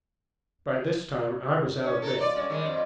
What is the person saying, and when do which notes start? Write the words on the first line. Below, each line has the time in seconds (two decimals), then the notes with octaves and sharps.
By this time I was out of bed.
1.84 C#4
2.02 A4 A#4
2.20 F4 D5
2.36 G3 C#4
2.50 D#3 G3 G#3
2.65 F2 F3